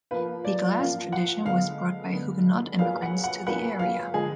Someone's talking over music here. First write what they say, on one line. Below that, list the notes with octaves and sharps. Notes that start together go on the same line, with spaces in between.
The glass tradition was brought by Huguenot immigrants to the area.
F3 A#3 F4 B4
D5
F3 A#3 F4 F5
F#5
D3 G#3 B3 F5
D3 G#3 B3
F#3 A#3 F4 G#4 B4 F5
F#5
F#5
F#3 A#3 F4 G#4 B4 F#5
F5
D3 F3 G#3 G#4